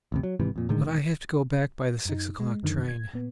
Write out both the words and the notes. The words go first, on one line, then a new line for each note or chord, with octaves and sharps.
But I have to go back by the six o'clock train.
A1 D2 C3
F#3
G#1 G#2 C3 E3
F2 A#2
A2 D3 D#3 G#3
E1 D#3
F#2 D#4
G#3
F#2 D3 D#3
G#6
A#2 B3